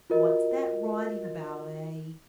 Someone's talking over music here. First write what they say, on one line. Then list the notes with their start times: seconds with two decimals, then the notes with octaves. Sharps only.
'What's that writing about, eh?'
0.10 F4 F#4 A#4 D#5